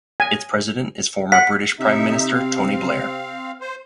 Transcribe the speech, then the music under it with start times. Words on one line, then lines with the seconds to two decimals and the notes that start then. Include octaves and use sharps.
Its president is former British Prime Minister Tony Blair.
0.20 G#5
1.32 F#5 B6
1.80 C3 D#4 E5
2.34 C4 F5
3.61 C5